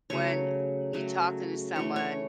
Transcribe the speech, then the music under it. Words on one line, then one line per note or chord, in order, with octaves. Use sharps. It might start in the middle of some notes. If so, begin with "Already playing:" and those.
when you talking to someone,
C#3 F#3 A3 C#5
C#3 F#3 A3
E3 A3 C#5
C#5